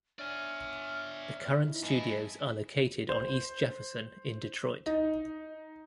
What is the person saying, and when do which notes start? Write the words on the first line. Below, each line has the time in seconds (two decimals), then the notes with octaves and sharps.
The current studios are located on East Jefferson in Detroit.
0.19 D4 C#5 D5 E5 G#5 F6
1.67 E3 D#4 E4
1.83 G2 B3 E4 D#5 G#5 A5
3.09 C5
4.86 D#4